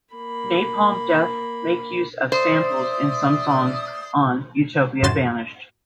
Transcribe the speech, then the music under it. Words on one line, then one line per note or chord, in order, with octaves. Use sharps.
Napalm Death make use of samples in some songs on "Utopia Banished".
A#3 B5
C5 D5 E5 D#6
F#2 A2 F#4 C6 A6 E7